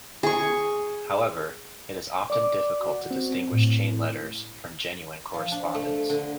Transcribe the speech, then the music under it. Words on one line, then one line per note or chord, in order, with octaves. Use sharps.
However, it is often difficult to distinguish chain letters from genuine correspondence.
G#4 C#6
D5 D6
F#4
C4
A2
F3
D4
A3
D3